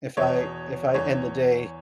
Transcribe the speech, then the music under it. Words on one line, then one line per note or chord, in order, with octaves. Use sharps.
if I if I end the day
E2 B2 C#5
E2 E3 C#5